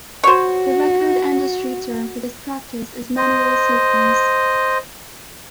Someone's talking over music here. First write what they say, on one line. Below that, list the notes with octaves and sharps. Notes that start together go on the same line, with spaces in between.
The record industry term for this practice is manual sequence.
F#4 C5 C#5
C5 D#5